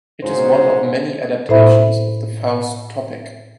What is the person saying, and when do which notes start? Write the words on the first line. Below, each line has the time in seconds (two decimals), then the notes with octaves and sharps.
It is one of many adaptations of the Faust topic.
0.22 G#2 C#3 F#4 C5
1.49 A2 E4 C5 E5 B5